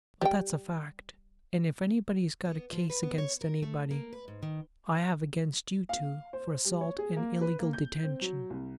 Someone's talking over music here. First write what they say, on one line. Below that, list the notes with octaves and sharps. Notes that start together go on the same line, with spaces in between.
But that's a fact--and if anybody's got a case against anybody, I have against you two for assault and illegal detention.
G3 G5
B3
F3
B4
B3
C#5
A#4
A3
A#3
B4
G#2
D#3
F5
C5
G3
C#5
G#4
A#3
B4
A#3
G6
C4
F#3
C2